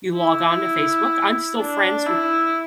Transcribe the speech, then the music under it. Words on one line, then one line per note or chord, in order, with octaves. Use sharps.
you log on to Facebook I'm still friends with
E4
D4
E4